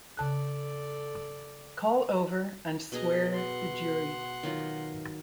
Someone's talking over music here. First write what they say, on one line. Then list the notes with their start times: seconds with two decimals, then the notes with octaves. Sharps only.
Call over and swear the jury!
0.17 C#3 A4 D5 A5 F#6
2.92 B2 G#4 D#5 A#5
3.32 F#5 C6
4.43 D#3 F#3 F4